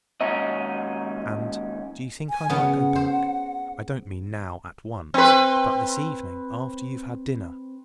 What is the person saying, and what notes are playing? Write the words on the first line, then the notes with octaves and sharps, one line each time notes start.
And--do you think I might go back? I don't mean now, at once, but this evening, after you've had dinner.
D#2 G#2 C#4 D#4 F#4 D#5
G#5
C#3 B3 F#5
C5
C4 B4